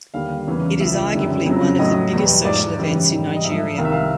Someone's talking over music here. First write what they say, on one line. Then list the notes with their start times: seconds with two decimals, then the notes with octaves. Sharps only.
It is arguably one of the biggest social events in Nigeria.
0.14 D#2 D3 G3 F5
0.47 E2 C#3 E3
0.80 C#2 C#3 F3 E5
1.13 F#2 D3 G3
1.46 F2 C#3 F#3
1.79 A2 F#3 D#5
2.12 E2 B2 G3
2.45 G#2 F3 D5
2.78 F#2 C#3 E3 G3
3.12 G#2 E3 G3
3.36 D#5
3.44 G#2 F3 E5
3.77 C2 C3 D#3 F5
3.85 E5
3.92 F5